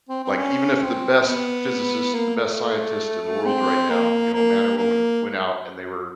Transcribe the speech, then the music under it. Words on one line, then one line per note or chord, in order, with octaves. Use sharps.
like, even if the best physicist, the best scientist in the world right now, you know, man or woman, went out and they were
C4
C4
C#4
C4
B3
A#3
A3
C4
A#3
A#3
A#3